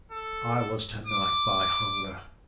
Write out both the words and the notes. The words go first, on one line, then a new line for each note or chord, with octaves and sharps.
I was to-night, by hunger.
A4
D6